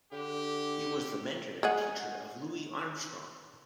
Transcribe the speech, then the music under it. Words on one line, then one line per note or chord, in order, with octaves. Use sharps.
He was the mentor and teacher of Louis Armstrong.
D3 G4
G#3 G#4 F#5